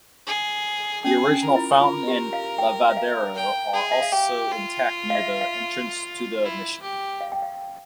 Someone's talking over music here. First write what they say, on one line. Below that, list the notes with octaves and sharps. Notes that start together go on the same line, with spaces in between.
The original fountain and "lavadero" are also intact near the entrance to the Mission.
G#4
C#4 G#4
C#4
A#4
F4
E4
F4
G4
F5
G5
E5
F5
G5
G#4
E5
F5
G4 G5
F4
F5
E5
F5
E4
G4
F5
G5
F5